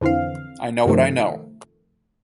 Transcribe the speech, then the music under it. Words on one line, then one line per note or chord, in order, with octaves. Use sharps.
I know what I know.
F2 D3 E3 C4 F5
G2 C3 D#3 F3 A3